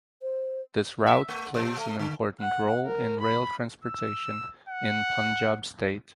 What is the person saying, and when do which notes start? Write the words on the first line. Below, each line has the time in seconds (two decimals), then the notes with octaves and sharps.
This route plays an important role in rail transportation in Punjab state.
0.22 C5
1.06 E5
1.28 A3
1.54 B2
1.77 A3
1.99 D3
2.40 F#5
2.85 A#4
3.21 B5
3.84 E6
4.69 F#5